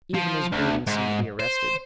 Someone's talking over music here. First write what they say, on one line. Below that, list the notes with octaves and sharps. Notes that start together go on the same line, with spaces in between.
Even his breathing seemed to be arrested.
F3
D2
G#2
C5